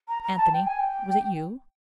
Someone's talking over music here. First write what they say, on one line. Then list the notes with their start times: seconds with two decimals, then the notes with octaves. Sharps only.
"Anthony, was it you?"
0.08 A#5
0.23 A#5
0.37 A5
0.53 G5
0.66 G#5
0.79 G5